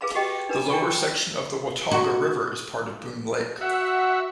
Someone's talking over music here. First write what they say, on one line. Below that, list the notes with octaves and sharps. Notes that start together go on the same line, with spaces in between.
The lower section of the Watauga River is part of Boone Lake.
G#4 B4 F5 A5 B5
F#4 G4 D#5 G5
D4 D#4 B4 A#5
D4 E4 G5 G#5 C#6
F#4
F#4 E5 F#5